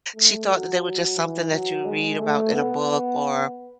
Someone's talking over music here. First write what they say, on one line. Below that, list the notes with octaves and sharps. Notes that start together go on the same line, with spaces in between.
she thought that they were just something that you read about in a book or
A3
F#3
F#3
E3
F#3
G#3
A3
B3